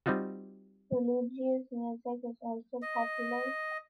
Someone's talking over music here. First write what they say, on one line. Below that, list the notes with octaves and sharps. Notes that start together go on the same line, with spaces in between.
Religious music is also popular.
G3 C4 D#4 F4 F#4
D#5